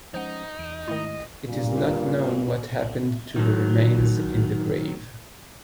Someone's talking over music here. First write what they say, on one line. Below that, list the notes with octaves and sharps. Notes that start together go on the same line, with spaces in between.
It is not known what happened to the remains in the grave.
F3 G#3 C#4 D#4 C5 F#5
E2 D7 D#7
G#2 D#3 A3 E4 D#5
G2 A#2
D#3 F#3